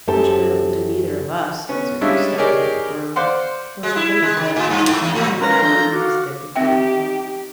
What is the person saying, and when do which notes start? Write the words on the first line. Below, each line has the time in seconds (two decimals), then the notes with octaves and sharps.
Much good it will do either of us!' answered Stuffy, with a groan; for he hated work, and saw two more long years of it before him.
0.07 F#2 G4 A4 C5 A5
1.69 B3 C#4
2.01 G3 G#3 C#4 D4 E4 F4
2.38 D#4 G4 G#4 A#4 C#5 D5
3.16 C5 D5 F5 F#5 C6
3.83 G#3
3.96 E4
4.22 G#3
4.37 D#3
4.56 A2
4.70 G2
4.88 G#2
5.01 E2
5.15 A#2
5.41 G#3 C#4 A#4 B4 F5 A#5 C6
5.62 D4 A4 G6
5.92 F#4 F5 D6
6.55 C4 D#4 G4 E5 G5